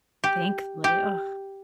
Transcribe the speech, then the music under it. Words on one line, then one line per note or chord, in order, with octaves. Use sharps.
Thankfully, ugh.
G4
G4